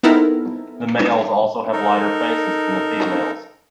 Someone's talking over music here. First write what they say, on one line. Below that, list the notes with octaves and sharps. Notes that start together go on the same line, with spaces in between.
The males also have lighter faces than the females.
B3 C4 D#4 E4 A4 A#4
D#4 A4 A#4